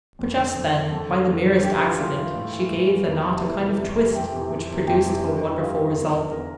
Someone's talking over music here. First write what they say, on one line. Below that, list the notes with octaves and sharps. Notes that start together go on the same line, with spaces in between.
But just then, by the merest accident, she gave the knot a kind of twist, which produced a wonderful result.
F2
D3
F2
D3
F2 A4 A5
D3
F2
D3
G2 G4 G5
E3 F4 F5
G2 F4 F5
E3
A2
E3
A2
E3
E2
C3 E3
E2 E4 E5
C3 E3
F2
C3 E3
F2 G4 G5
C3 E3
F2
C3 E3
F2 G4 G5
C3 E3
G2
E3
G2 F4 F5
E3
E2
D3
E2 A#4